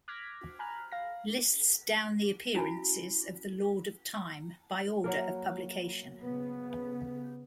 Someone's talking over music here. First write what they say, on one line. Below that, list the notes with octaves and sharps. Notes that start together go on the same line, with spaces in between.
Lists down the appearances of The Lord of Time by order of publication.
D6 F6 F#6 G#6 A#6 B6
G#5 A#5 B5 F6 F#6
F5 A#6
C#4 E4 F#4 G#5 B5
F#3 A#3 A#4
C#3 B3